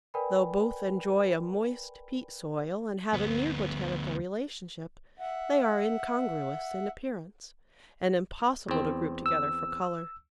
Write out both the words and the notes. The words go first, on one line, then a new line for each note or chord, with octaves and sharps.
Though both enjoy a moist peat soil, and have a near botanical relationship, they are incongruous in appearance, and impossible to group together for colour.
A#4 B4 D5 G5 G#5 B5
D2 B3
E5 F#5
E2 C4
E6